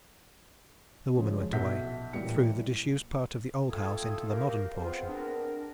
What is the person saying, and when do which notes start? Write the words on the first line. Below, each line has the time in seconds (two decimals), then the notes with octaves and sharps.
The woman went away--through the disused part of the old house into the modern portion.
1.18 C#3 F3 G#3
1.52 B1 F#4 E5 F#5 G6 B6
2.13 A1 A#2 E3 G3 C#7
3.70 A3 F4 A4 G5 D#6 G#6
4.27 G4 A#4 F5
4.75 B3 C4 F4 G#4 C5
5.09 D4 A#4